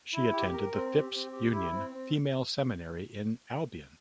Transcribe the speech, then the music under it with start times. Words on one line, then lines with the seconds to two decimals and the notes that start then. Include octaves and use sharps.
She attended the Phipps Union Female Seminary in Albion.
0.13 E4
0.33 G4
0.53 A#4
0.73 C4
0.93 G4
1.12 C4
1.32 G4
1.52 E4
1.72 C4
1.91 C4